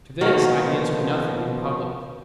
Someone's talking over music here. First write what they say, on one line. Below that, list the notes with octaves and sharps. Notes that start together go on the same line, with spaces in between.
To this I answered nothing in public.
B2 D#3 F3 A#3 F#4